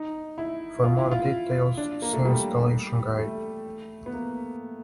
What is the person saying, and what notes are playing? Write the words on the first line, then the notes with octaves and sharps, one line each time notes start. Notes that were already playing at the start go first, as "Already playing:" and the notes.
For more details, see the Installation Guide.
Already playing: D#4
E4
F4
E4
F4
D4
A#3
A3
G3
A3
B3
A#3